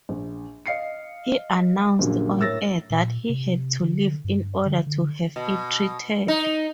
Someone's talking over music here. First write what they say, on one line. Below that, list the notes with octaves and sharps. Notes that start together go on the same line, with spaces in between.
He announced on-air that he had to leave in order to have it treated.
A#1
D#5 F5 C7 C#7
A#1 F#2 A#2 D3 F#3 G3
A2 A#4 C#5 E6 A6 A#6
A#2
C3
D3
G2
D3
D3
B2
D#4